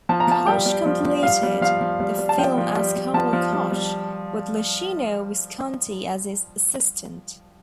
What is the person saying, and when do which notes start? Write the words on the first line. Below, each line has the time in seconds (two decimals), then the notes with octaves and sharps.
Koch completed the film as "Carlo Koch", with Luchino Visconti as his assistant.
0.09 F3 A5
0.20 A#5
0.28 F3 A5
0.47 G3 G5
0.66 G3
0.86 F3
1.05 F3
1.23 G3 F5
1.43 G3
1.61 F3 F5
1.81 F3
2.00 G3
2.19 G3
2.29 A5
2.38 F3 G5
2.58 F3
2.77 G3
2.96 G3
3.14 F3 A5
3.33 F3
3.53 G3
3.72 G3